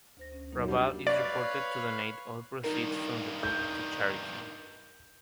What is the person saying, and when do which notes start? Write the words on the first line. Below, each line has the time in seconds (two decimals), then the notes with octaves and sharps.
Raval is reported to donate all proceeds from the book to charity.
0.17 D2 C5 A#6
0.32 C#4
0.52 F#2 F#3 A#3 D#4
0.68 G3 D4
1.07 B4 C#5 D5 F5
2.64 G2 D#3 D#4 A#4
3.43 G6